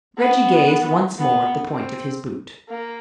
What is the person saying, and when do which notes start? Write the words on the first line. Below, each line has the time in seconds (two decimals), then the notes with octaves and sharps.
Reggie gazed once more at the point of his boot.
0.18 B3
1.18 B3
1.70 C4
2.69 A#3